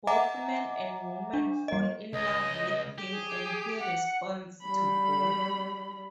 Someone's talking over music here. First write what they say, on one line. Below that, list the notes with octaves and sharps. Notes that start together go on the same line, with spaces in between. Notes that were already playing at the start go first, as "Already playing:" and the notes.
Both men and women fall in love with him and he responds to both.
D#5 E5 F#5 G#5 A#5 D6
D4
G3 D#5
C#2 D#5
G4
G#4
F#5
G3 B5